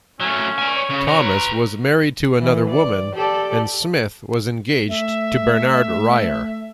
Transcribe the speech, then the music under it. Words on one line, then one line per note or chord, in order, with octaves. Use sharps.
Thomas was married to another woman, and Smith was engaged to Bernard Reiher.
F#3 A3 C#4
D5 G#5
C#5
C#3
B4 A#5
E3
D5
G4 A4 D5
A3 E5